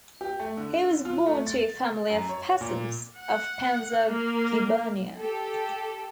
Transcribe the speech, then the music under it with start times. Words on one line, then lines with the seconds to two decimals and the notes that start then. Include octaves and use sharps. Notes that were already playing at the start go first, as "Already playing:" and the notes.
He was born to a family of peasants of Penza gubernia.
0.21 G4
0.40 A3
0.57 D3
1.05 F4
1.26 A3
1.47 A6
2.10 F#2
2.29 C#5
2.61 A#2
3.17 F#5
4.05 A#3
5.19 G4 A4